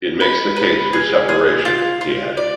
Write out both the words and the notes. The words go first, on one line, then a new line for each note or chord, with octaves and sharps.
It makes the case for separation, he added.
B4
B4
G#4
G#4
F4
F4
D5